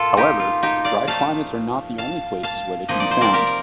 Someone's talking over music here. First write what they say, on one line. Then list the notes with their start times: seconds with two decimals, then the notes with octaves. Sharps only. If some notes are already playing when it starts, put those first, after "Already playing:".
However, dry climates are not the only places where they can be found.
Already playing: A#2 A#3 F4 A4
0.17 D#4 G4
0.39 F4
0.63 D#4 G4
0.85 D5 F5
1.07 A#2 F3 A3 D#4 F5 A5
1.98 F5 A5
2.43 F5 A5
2.88 C3 F3 A#3 D#4 D#5
3.00 D5
3.11 C5
3.21 A#4 D5
3.34 G4 A#4